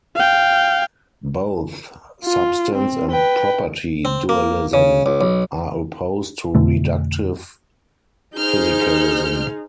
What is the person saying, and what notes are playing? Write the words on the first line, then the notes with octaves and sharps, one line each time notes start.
Both substance and property dualism are opposed to reductive physicalism.
F5 G5
F4
C4
B4 G5
C4
A#3
C#3
C#2
B1
F2 B2 D3 A3
D#4 G#4 C5 F6 G6